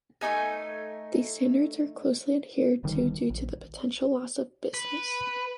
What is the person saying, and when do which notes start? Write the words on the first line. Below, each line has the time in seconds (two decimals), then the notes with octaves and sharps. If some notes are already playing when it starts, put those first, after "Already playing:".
These standards are closely adhered to due to the potential loss of business.
0.21 A3 B3 D#4 G#5
2.83 D1 D2 D#3 G3
3.30 A#1
4.74 B4